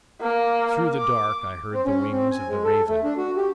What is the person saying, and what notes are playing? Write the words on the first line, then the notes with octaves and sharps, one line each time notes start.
Through the dark I heard the wings of the raven.
A#3
D6
C4
C#4
C4
G#5
G#3
A4
A3
D4
F#4
G4